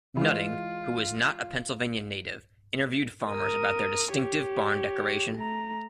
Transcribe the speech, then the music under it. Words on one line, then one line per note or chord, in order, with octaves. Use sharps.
Nutting, who was not a Pennsylvania native, interviewed farmers about their distinctive barn decoration.
E3 G#3 F4
A#4 D#6
G4 C#5
A3 A#5